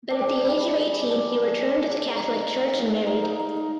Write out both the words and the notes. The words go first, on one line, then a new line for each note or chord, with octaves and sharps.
But at the age of eighteen he returned to the Catholic Church and married.
D4
G#4
G3
G3
G#4
G3
D4
G3
G#4
G#4
D4
G#4
A#4
D#4
D#4
F5
D#4
F5
D#4
D#4
D#4
D#4